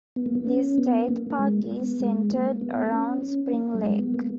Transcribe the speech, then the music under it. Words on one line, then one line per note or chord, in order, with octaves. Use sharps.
The state park is centered around Spring Lake.
B3
A#3
B3
C#4
B3
A#3
A#3
G#3
B3
G#3
A#3
B3
B3
C#4
C#4
A#3
G3
G#3
B3
A#3